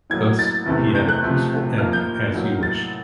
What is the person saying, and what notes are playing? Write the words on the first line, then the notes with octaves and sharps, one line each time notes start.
Thus, he had a peaceful end as he wished.
A2 F#3 A#3 G#6
A6
E2 C3 E3 A3
G6
F#6
C3 F3 A3
G#2 F3 A#3 F6
G6
A2 F#3 A#3
A6